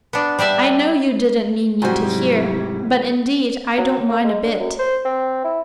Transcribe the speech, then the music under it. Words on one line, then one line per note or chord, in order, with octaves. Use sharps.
I know you didn't mean me to hear, but indeed I don't mind a bit.
B3 D4
G3 D4 D5 E5
G#2 C3 F#3 G3 E4 F#4 C5 G#5
F#3
A#3
G#3
D3
F#2
C5
C4
E4